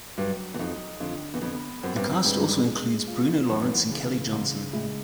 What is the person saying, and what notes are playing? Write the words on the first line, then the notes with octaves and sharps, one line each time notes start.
The cast also includes Bruno Lawrence and Kelly Johnson.
G2 F#3
E2
F2 D#4
F2 D3
E2
F2 B3
F#2 C4
G2
F#2
G2 G#3
G#3
F4
F#2 E3
G2
F#2
C#3
G#2 C#3
A2 G#3